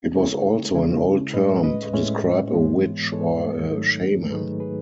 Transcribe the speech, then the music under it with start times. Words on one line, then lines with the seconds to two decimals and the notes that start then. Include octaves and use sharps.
It was also an old term to describe a witch or a shaman.
0.15 C#3 G#3 C#4 E4 A4 C#5
0.75 C#3 G#3 C#4 E4
1.34 A2 G#3 C#4 B4 D#5
1.63 B4 D#5
1.93 A2 G#3 C#4 C#5 E5
2.53 G#2 E3 G#3 B3
3.12 G#2 E3 G#3 B3 A4 C#5
3.71 G#2 D#3 F#3 A3 D#4
4.30 G#2 D#3 F#3 A3 D#4 G#4 B4
4.60 G#4 B4